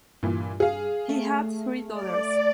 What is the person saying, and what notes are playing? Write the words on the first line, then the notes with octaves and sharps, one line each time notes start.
He had three daughters.
G2 A#2 E3
G#4 F5
A3
D5